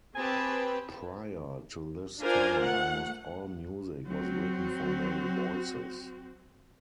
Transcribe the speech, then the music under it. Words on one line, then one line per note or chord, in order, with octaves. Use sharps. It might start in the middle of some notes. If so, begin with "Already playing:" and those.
Prior to this time almost all music was written for male voices.
C4 G4 G#4 B4 G#5 A5
D4 F4 A#4 C5 G#5
A3 F#5
F#3 C4 F#4